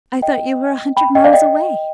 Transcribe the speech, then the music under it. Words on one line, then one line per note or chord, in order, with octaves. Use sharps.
I thought you were a hundred miles away.
D#5 G5
G5 B5
D#5 G5
D5 F5
D#5 G5